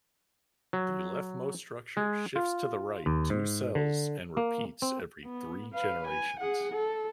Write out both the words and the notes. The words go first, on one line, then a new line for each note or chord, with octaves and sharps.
The leftmost structure shifts to the right two cells and repeats every three generations.
F#3
G#3
F4
D#2
G#2
D3
A#3
C4
B3
B4 F5
G#5
G#4 F#5
A4